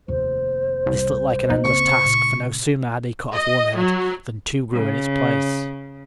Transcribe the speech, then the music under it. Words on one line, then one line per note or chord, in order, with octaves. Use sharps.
But this looked like an endless task, for no sooner had he cut off one head than two grew in its place.
F1 D#2 C5
C2
A#3 C4 D#4
C#2 C#6
A#2
D#5
F#3
C#3